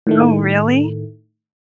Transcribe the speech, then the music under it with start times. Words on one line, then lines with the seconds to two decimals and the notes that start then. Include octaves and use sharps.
Oh, really?
0.07 A2 D#3 A3